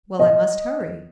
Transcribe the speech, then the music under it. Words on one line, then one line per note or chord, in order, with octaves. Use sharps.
Well, I must hurry.
D#5